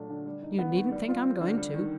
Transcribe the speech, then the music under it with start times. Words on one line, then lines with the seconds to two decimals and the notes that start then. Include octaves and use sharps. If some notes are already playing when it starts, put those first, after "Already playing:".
You needn't think I'm going to.
Already playing: A#2 F#3 A3 D4
0.10 D3
0.26 G3
0.42 D#4
0.59 B3
0.75 D#3
0.92 G3
1.08 F4
1.25 C4
1.41 D3
1.57 G3
1.74 D#3